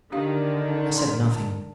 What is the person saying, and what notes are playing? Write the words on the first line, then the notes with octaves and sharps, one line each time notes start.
I said nothing.
D3 D#3 D4 G4 F5
D4 C6
A5